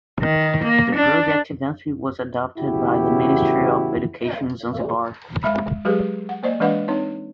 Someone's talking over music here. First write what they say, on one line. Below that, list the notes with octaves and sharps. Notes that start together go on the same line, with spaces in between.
The project eventually was adopted by the Ministry of Education in Zanzibar.
D#3
A#3
D4
E2 A2 C#3 E4 F#4 G4
G#3 E5 B5
F#3 G#3 G4 G#4 B4
F#5
A#3 C5 D5 D#5
E3 G#3 D4 B4 D#5 F#5
C4 D#4 C#5